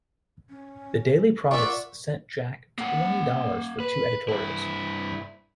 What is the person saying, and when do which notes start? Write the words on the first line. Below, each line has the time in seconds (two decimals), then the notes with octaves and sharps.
The Daily Proteus sent Jack twenty dollars for two editorials.
0.50 C#4
1.51 F4 A#4 D5 E5 F#5 C#6
2.78 A#3 F#5
3.80 B4
4.29 G2 E4